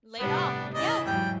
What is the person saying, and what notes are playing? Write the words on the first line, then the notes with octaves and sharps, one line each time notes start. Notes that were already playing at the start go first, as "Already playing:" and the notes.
Laid off. Yes.
G1 A2 C3 G3 B3 D4
C#3 E3 D5 D#5
E2 G#2 F#3 G3 G5